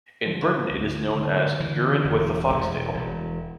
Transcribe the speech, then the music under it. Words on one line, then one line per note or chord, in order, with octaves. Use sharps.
In Britain it is known as "Gurin with the Foxtail".
D3 F3
D2
D3
D3 E3
E1
E1
E1